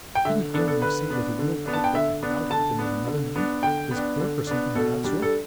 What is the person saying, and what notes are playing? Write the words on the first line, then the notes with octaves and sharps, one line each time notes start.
"Didn't Aylmore say that the real culprit at Cloudhampton was another man--his clerk or something of that sort?"
G5
D3 E5
B3 D4 A4
A4
D3 B4
B3 D4
D3
B3 D4
A5
G5
D3 E5
B3 D4
D3 A5
B3 D4
D3
B3 D4
D3 G5
B3 D4
D3
B3 D4
B2 A4
G3 D4
A4